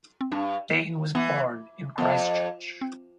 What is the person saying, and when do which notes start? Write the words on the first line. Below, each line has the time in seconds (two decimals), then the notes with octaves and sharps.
Thain was born in Christchurch.
0.21 C4
0.32 G2 D4
1.15 E3 B3
1.98 F2 B3
2.81 C4